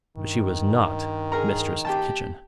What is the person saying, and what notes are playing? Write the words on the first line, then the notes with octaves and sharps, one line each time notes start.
But she was not mistress of the kitchen.
G2 D#3
G#4 A#4 A#5
G4 G5 A5